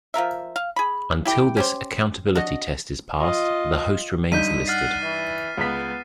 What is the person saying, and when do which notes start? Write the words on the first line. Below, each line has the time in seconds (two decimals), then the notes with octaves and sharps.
Until this accountability test is passed, the host remains listed.
0.14 F3 F4 A#4 E5
0.56 F5
0.76 G#4 B5
1.25 E4 G4 G5
1.57 C#4 G4 C5
2.35 D4 F#4 D#5
3.19 F4 D#5
4.32 G2 D3 D#4 G6 B6 D#7
4.67 F#5 F6 A6 C7
5.02 E3
5.57 C#2 B3 B6